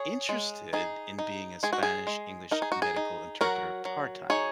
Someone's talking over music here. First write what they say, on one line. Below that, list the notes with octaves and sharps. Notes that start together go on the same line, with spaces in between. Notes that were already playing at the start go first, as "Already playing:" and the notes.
interested in being a Spanish-English medical interpreter part time,
Already playing: G#4 C#5
G#3
D#4 G#4
D#4
G#3 G#4
F#4
G#4
G#3
D#4 A#4
G#4
F#4
G#4
D#4
F#3 F#4 A#4
F#3
D#4 G#4 C#5